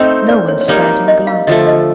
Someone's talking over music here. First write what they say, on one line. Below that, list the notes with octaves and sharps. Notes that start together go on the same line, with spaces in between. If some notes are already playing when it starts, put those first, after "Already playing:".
No one spared him a glance.
Already playing: A3 C4 D#4 D#5
D5
C#5
C#5
G3 A#3 D#4 D5
D#5
F5
D3 F3 A3 D#5
D#5